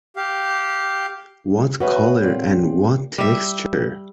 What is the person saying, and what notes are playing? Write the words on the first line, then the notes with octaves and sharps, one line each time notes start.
What colour, and what texture!
G4 F5
B3 C#4 F#4 B4 C5 E5
A#2 C4
G3 E5